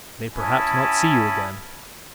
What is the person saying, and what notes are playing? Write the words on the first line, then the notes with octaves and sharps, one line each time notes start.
"I may perhaps not see you again..."
C#4 E4 G#5 A5 B5 D#6